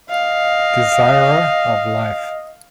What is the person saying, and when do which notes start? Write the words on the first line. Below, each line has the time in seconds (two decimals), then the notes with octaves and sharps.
"Desirer of Life".
0.10 D#5 F5